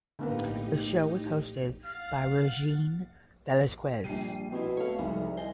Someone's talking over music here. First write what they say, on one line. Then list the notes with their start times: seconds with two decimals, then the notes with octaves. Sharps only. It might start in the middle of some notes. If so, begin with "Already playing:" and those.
The show was hosted by Regine Velasquez.
0.19 A2 D3 A#3 B3 D#4 G4
1.84 F5 F#5 A6
4.04 A#1 G3 G4 C7 D#7
4.52 B2 C4 E4
4.77 A3 C#5 F5
4.99 C2 G#2 F3 G3
5.37 C2 C5 D#5 G#5